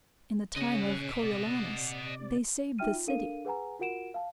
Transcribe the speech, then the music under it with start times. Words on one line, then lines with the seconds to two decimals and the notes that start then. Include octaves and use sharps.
In the time of Coriolanus they saved the city.
0.56 C#3 C#4 D#5 F#5 F#6
1.23 C3 D5
2.79 D#4 F#4 E5 G5 F6 D#7
2.94 F4
3.07 D4 A4 A#4 F5 D#7
3.45 G#4 B4 F#5 G#5 A#5
3.79 F4 F#4 A#4 F#5 D7 E7
4.14 F5 A5